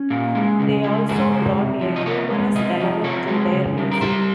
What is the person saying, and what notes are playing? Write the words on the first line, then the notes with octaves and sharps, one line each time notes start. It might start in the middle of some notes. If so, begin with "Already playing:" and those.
They also brought a humorous element to their music.
Already playing: C#4
A#2
G#3
C#3
G#3
G#3 C5
C#3
C3
F3
D#5
C3 C#5
G#3
C3 D#5
F3
C3 C#5
G#3
C#3
G3
A#4
G3 C5